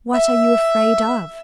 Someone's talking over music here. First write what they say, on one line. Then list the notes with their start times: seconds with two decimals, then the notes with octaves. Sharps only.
"What are you afraid of?"
0.14 E5